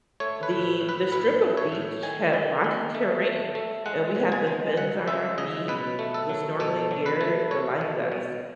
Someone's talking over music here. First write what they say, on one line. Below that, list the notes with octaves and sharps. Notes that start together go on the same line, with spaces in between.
the the strip of beach had rocky terrain, and we had the fins on our feet, the snorkeling gear, the life vests,
A3 C#5
B4
A2
A2
B4
A2 B4
A3
C#5
A2
D#3 G#5
D#3
D#3
A3
A3
A3
G#3 F#5
C#3
G#5
G#3
C#3 F#5
G#3 E5
C#3 D#5
B2 B4
A3
A4
F#3
B2 A4
F#3
B4
A3
A3 C#5
B2
B2